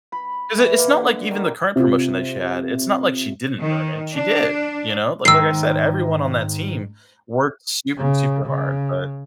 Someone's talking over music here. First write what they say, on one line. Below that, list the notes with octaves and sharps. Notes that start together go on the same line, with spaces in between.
'cause it's not, like, even the current promotion that she had, it's not like she didn't earn it, she did, you know, but like like I said, everyone on that team worked super, super hard, but
B5
E3
A#3
D3
D#3
C3 F4
D#3
D4
G#2 D#3 E6 C7
C#3
C#3